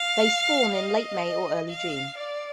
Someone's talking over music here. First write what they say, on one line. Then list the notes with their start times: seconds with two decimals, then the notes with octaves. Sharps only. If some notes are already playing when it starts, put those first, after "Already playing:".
They spawn in late May or early June.
Already playing: F5
0.75 D#5
1.69 F5
2.18 D5